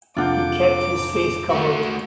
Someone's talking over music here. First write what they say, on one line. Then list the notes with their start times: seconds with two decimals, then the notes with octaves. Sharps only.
He kept his face covered.
0.17 F1 D4 F4 F#5 D6 G6
1.51 A3 F#4